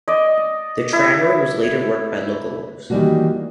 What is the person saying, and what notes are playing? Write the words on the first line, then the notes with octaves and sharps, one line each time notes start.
The tramroad was later worked by locomotives.
D5 D#5
E4
D#3 E3 F#3 G3 A#3 F#4